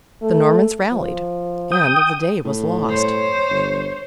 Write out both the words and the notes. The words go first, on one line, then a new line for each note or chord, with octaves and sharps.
The Normans rallied, and the day was lost.
A3
F3
G5 D#6
A2
C5 C#5
G1